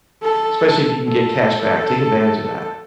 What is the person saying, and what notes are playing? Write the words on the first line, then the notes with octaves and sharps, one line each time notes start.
especially if you can get cash back, take advantage of that.
A4
A4